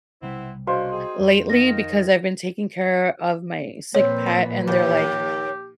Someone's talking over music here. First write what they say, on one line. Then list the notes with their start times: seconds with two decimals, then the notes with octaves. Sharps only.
lately because I've been taking care of my sick pet, and they're, like,
0.22 B1 C3 G3 B3 C4 E4
0.67 A#3 C#4 D4 F#4 C5 D#5 F5 C6
0.92 C4 D#4 G#4
1.20 F2
1.50 D#3 A#6
3.95 A#2 F3 C4 B4 C#5
4.67 D#2 G4